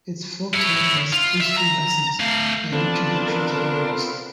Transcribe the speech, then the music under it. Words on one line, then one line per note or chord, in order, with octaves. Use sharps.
Its full title is "History Lessens - An Introduction to the Artist".
E4 C#5
F4
E5
A#5
A3 F5
B3 C4 D4 F4 A4
A#4